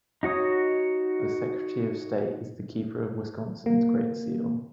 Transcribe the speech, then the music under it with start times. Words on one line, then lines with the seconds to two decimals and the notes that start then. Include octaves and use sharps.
The Secretary of State is the keeper of Wisconsin's great seal.
0.23 D#4 F#4 C#5 D#6
3.66 A#3